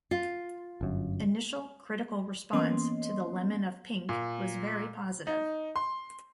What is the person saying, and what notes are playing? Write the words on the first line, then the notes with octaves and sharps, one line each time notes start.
Initial critical response to "The Lemon of Pink" was very positive.
F4
G1 F#2
E3 A#3 B3 C#4 D#5 C6
A#2
D#4
C6